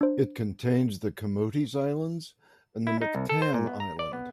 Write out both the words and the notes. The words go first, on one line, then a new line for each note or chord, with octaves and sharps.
It contains the Camotes Islands and Mactan Island.
D4 C5
E4
D#4
C2
A4
C5
A#2
B3
A#5
D5
B3